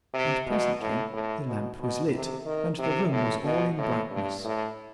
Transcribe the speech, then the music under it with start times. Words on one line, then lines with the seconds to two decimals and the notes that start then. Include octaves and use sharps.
And, presently, the lamp was lit, and the room was all in brightness.
0.14 C3
0.47 B2
0.81 A2
1.13 A2
1.47 B2
1.80 B2
2.13 C3
2.46 D#3
2.79 C3
3.12 A2
3.45 B2
3.78 A2
4.11 G2
4.44 A2